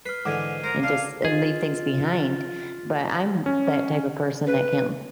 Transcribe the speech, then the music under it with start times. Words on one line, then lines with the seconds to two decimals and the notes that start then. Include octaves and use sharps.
and just, and leave things behind. But I'm that type of person that can't
0.06 B4 F6 C7
0.26 G#2 D3 E3 D6 G#6 D#7
0.64 A#4 C5
0.83 D4 F5
1.25 F4 G#4 D#5
3.46 C#4
4.47 B4